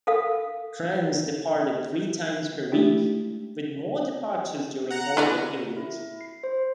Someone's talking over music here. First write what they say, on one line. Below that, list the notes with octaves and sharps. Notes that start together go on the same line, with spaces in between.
Trains departed three times per week, with more departures during holiday periods.
A4 A#4 F5 D#6
G#3 A3 D4 E4 G4
F#5 A#5
E4 B4 D5
E4
C7
C5